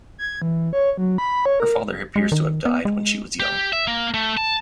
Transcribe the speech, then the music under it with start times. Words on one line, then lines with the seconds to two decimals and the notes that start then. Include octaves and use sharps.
Her father appears to have died when she was young.
0.18 G#6
0.42 E3
0.73 C#5
0.97 F#3
1.18 B5
1.46 C#5
1.60 A#4
2.16 G#3
2.32 D#3
2.66 B3
2.85 G#3
3.40 G4
3.73 E5
3.87 A#3
4.14 A3
4.37 A5